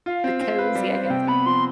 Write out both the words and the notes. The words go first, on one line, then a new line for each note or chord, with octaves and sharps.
The cozy. I get the
F4 F5
C4
C4
B4
G3
C4
F5
C3 G5
B3 B5
F3 C6